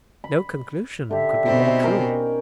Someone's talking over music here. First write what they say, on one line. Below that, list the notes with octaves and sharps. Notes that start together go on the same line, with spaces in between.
No conclusion could be more true.'
B5
D3 G4 E5
B2 C4 D#4
C#4 A#4 G5